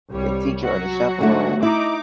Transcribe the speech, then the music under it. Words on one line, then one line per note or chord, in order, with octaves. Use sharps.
the teacher or the chaperone
C2 G3 C#5
F#3 F#4
D3 A3
D#4 E4 D6